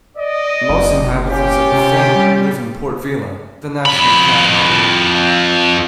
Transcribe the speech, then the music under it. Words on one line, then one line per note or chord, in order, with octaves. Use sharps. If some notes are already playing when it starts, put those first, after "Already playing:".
Most inhabitants of Efate live in Port Vila, the national capital.
D5 D#5
F#1
C#4 F4 G4
C3
G3
F2 B5